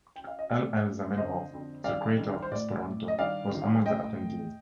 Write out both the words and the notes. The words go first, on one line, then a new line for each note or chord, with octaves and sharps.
L. L. Zamenhof, the creator of Esperanto, was among the attendees.
G5
F5
D#5
A2 D5
A2
F2 D3 C5 D#5
F2 D3
G2 D#3 D5 F5
G2 D#3
C5
A2 D5
A2
D#5
G2 D#3 D5 F5
G2 D#3
A2 D#5 G5
A2